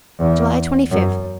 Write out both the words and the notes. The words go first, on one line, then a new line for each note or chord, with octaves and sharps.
July Twenty-fifth.
E2
F#2